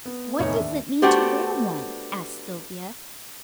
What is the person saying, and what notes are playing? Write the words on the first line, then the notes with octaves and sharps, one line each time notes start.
"What does it mean to wear one?" asked Sylvia.
B3
F1 E2 A2 D#4 C#5 C#6
D#2 D4 E5
A3 B3 D4 F#4 G4 C5